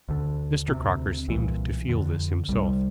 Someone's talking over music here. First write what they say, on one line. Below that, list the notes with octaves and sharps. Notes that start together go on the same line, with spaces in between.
Mr. Crocker seemed to feel this himself.
D2 D3
D2 C3
C2 A#2 E3
F2 D3
C2 C3 G3